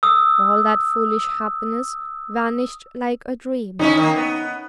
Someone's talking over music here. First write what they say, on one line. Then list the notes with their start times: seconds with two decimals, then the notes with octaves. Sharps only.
All that foolish happiness vanished like a dream.
0.03 D#6 E6
3.79 D3 C#4 D#4 E4
3.97 D#3 A#3
4.16 B3